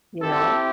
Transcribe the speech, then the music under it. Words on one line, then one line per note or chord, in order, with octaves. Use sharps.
You know?
C4 E4 G4 A4